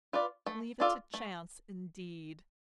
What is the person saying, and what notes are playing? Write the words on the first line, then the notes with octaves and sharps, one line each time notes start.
Leave it to chance indeed!
F4 B4 D5
A3
D4 F4 A4 D5
A3